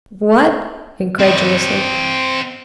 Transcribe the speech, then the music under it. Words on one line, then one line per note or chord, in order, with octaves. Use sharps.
"What!" incredulously.
C4 D#5